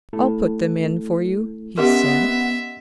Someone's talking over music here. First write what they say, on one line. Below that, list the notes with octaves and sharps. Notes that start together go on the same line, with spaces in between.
"I'll put them in for you," he said.
A3 E4 A4
B3 C#4 G4 A#4 D#5 E5 F#5 C6